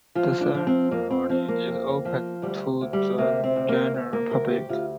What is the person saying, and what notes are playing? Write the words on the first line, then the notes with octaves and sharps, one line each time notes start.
The ceremony is open to the general public.
F3 F4
D4
F3
C4
F2 A#3
C4
F3 C4
A#3
F2
F3
D2 G3
D2
G3
C3 A#3
C4
D2
A#3
D2
A#3
D2 A#4
G4
D2 F4